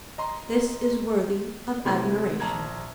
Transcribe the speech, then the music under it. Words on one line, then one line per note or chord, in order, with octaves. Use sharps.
This is worthy of admiration.
D#5 A#5 C6
C3 A3 B3 E4 C6 G#6
A#1 A5 A#5 G#6